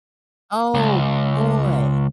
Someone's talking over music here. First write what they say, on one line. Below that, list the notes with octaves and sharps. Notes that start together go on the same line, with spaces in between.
Oh, boy.
C#2